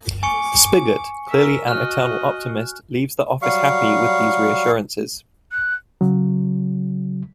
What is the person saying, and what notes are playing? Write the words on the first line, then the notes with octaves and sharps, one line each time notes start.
Spiggott, clearly an eternal optimist, leaves the office happy with these reassurances.
G#5 C#6 D6 C#7
A#4 E5
F#4 D#5 F6 F#6
F#3 G3 F5 C#6
F#6
C#3 F#3